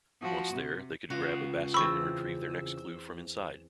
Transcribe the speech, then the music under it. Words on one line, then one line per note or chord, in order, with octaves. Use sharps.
Once there, they could grab a basket and retrieve their next clue from inside.
F3 F#4
C3
C#3 F4 F#4
E2 C4 B5 C#6 E6